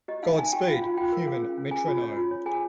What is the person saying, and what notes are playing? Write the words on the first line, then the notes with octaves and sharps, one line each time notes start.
Godspeed Human Metronome.
G4 D#5
D#4 F5
D#4 G#5
G4 G5
F4 F5
F4 F5
F4 G5
A#4
G#4 F5
C#4
C#4
G#4 G#5
F4
C#5
F4
C#5
G#4 G#5